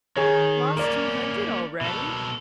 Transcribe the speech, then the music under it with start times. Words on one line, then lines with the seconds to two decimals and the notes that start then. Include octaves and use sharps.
Lost two hundred already?
0.17 D#3 G#4 C#5
0.77 A#3 C#4 A#4 D5
1.81 B2 A4